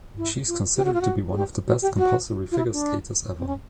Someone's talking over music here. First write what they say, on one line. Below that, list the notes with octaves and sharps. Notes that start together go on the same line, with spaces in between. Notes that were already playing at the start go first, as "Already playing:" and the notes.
She is considered to be one of the best compulsory figure skaters ever.
E4
F4
G4
F#4
F4
F#4
G#4
G4
F#4
G4
F#4
F4
E4
D4
C4
C#4